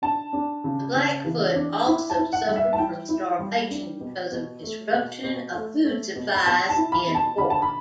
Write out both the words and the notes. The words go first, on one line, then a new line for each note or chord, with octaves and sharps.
The Blackfoot also suffered from starvation because of disruption of food supplies and war.
D4 A5
D4
C#3
C#3
E3
D4
E4
A5
E4
F#5
G3
E5
A5
E4 G5
E4
G3
D4
B2
B2
A3
B2
B2
A3
A3
B2
B5
B2 A5
A5
E4
B5
B2
A5
D3 B5
A5
B5